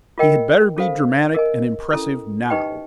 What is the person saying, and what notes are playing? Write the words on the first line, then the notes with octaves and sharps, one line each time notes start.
He had better be dramatic and impressive now.
F4 A#4 D#5 G5
C#4 F4 A4 C5 F5
A#4 D#5 G#5
C#4 E4 A4
D#4 G4 B4 D#5 G5